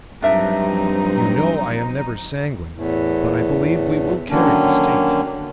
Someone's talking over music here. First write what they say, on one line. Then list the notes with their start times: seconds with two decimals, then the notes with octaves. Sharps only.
You know I am never sanguine; but I believe we will carry the State.
0.22 G2 F3 F#3 C4 D4 D#4 A#4 E5
2.75 E2 A2
4.30 D3 D#3 F#3 A#3 C#4 D4